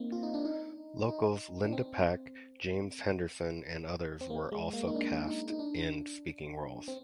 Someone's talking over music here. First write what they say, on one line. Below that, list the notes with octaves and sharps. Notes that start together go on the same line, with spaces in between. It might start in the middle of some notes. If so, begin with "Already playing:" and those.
Locals Linda Pack, James Henderson and others were also cast in speaking roles.
Already playing: A#3 C4 D#4
F4
D#4
D4
D#4
D#4
D4
C4
C4
A#3
G#3
A#3
D#4
D4
D#4
D#4
D4
C4